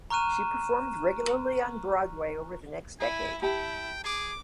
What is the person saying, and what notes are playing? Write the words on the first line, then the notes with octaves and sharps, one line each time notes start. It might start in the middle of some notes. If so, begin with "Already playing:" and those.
She performed regularly on Broadway over the next decade.
A#5 C#6 F6 F#6 D#7 E7
E4 G#5
E4 G4 G5 A5
G#4 D6